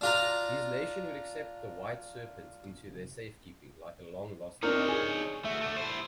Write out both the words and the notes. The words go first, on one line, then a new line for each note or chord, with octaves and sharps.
His nation would accept the "white serpent" into their safekeeping like a long-lost brother.
D4 F4 A#5
C4 D4 D#4 A#4 C#5
G#4
A3 F#4 E5
D3 A3
E4 C5